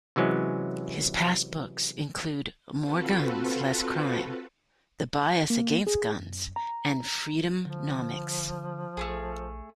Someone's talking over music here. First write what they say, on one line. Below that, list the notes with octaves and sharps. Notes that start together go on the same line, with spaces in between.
His past books include "More Guns, Less Crime", "The Bias Against Guns", and "Freedomnomics".
C3 E3 F#3 G#3 C#4
C4 F4 F#4 A4 B4
A#3
G#4
F#2
A#5
D3 F3
A#1 A3 C4 G#4